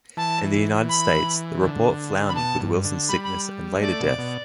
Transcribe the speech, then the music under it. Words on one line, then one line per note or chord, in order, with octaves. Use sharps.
In the United States, the report floundered with Wilson's sickness and later death.
E3 A5
B5
D3
B5
B2 A5
G2
D3
G3 B5
B5
A3 D5
B2
B2